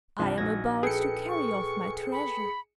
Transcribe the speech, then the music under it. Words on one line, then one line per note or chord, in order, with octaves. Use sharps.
I am about to carry off my treasure.
C2 G2 F3 A5
A#1 D#4 F#4 G#6 A#6
G#4 A4 B4 G5 C#7
C#6
B5